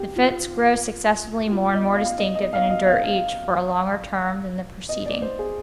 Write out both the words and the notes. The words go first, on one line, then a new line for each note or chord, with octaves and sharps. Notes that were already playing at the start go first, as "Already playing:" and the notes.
The fits grow successively more and more distinctive, and endure each for a longer term than the preceding.
Already playing: G4
F4
G4
F4
D#5
F5
D#5
D#5
F5
D#5
F5
F5
D#5
D5
C5
G#4